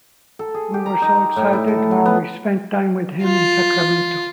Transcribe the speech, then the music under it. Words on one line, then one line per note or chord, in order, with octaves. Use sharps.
We were so excited when we spent time with him in Sacramento.
A4
G#4
G4
A#5
D#4
A2
E4
A4
F#3
B3
F4